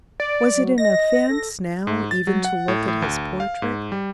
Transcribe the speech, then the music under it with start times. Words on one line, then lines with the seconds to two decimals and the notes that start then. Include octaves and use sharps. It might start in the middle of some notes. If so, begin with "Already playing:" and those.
Was it an offense, now, even to look at his portrait?
0.20 D5
0.55 F#3
0.78 D#5 A#6
1.29 A4
1.87 G#2
2.11 A6
2.27 F#3
2.44 F#5
2.68 A2
2.88 A2
3.02 D2
3.40 F5
3.62 G#2
3.92 G3